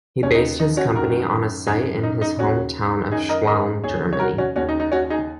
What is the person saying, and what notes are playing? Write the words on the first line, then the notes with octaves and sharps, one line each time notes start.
He based his company on a site in his home town of Schwelm, Germany.
D#2 C#3 C#4
D#4
D#4
C#4 F#4
F#2 D#3 F#4 A#4
F#2 C#3 D#4 G#4
D#4
D#4
D#2 C#3 C#4 F#4
F#2 D#3 D#4 G#4
A#4 D#5
A#4 D#5
D#2 C#3 G#4 C#5
C#5
F#4 A#4
C#4 F#4
D#2 C#3 C#4 F#4
D#4
D#4
C#4 F#4
D#4 G#4